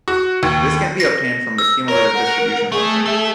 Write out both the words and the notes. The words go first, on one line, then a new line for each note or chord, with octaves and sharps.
This can be obtained from the cumulative distribution function.
F#4
D#2
A#6
E6
A#4 C#5
F#5
A3 G#4
A4 E5